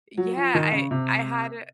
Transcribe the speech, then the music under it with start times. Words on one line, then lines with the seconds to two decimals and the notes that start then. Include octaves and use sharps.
Yeah, I I had a
0.18 F#3
0.37 F3
0.55 D#3
0.72 C#3
0.91 C3